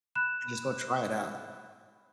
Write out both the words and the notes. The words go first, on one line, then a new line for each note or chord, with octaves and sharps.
just go try it out.
B5 F#6 E7